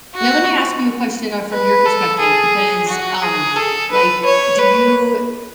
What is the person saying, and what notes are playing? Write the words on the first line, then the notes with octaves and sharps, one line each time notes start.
Now, let me ask you a question, uh, from your perspective because, um, like, do you eh
F#4
B4
A4
G#4
F#4
G#4
A4
B4
C#5
B4